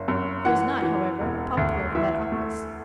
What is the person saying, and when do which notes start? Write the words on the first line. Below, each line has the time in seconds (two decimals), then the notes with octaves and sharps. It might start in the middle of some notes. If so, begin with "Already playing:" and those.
He was not, however, popular in that office.
Already playing: F#1
0.08 F#2
0.45 E3 F#5
0.82 E3
1.21 E1
1.57 D2
1.95 E3 E5
2.32 A3